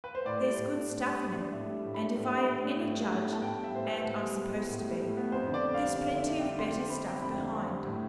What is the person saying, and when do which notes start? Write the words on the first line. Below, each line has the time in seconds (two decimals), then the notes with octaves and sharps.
There's good stuff in it, and if I am any judge, and I'm supposed to be, there's plenty of better stuff behind.
0.04 B4
0.15 C5
0.25 A2 D5
0.41 G3
0.57 A2
0.74 D4
0.90 A2
1.05 G3
1.20 A2
1.37 D4
1.52 A2 E5
1.69 G3
1.84 A2
1.94 B5
2.00 D4
2.15 A2 B5
2.31 G3
2.47 A2
2.63 D4
2.79 A2
2.94 G3
3.10 A2
3.27 B3
3.32 A5
3.42 A2 G5
3.57 G3
3.64 E5
3.74 A2 C5
3.85 B4
3.90 B3
4.05 A2
4.21 G3
4.37 A2
4.53 B3
4.69 A2
4.84 G3
5.01 A2
5.17 B3
5.32 F2 C5
5.48 D3
5.54 D5
5.63 C4
5.74 F5
5.80 G3
5.95 F2 F5
6.11 D3
6.16 E5
6.27 C4
6.38 G3 G5
6.58 F2 C6
6.75 D3
6.90 C4 B5
7.06 G3 G5
7.22 F2 B5
7.38 D3
7.53 C4
7.69 G3
7.85 A2